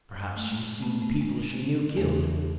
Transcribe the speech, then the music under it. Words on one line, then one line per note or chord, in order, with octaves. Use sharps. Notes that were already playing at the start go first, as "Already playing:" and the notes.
Perhaps she has seen people she knew killed.
A3
G#3
A3
A3 B3
A#3
A3
G#3
E2 C#3 E3 A3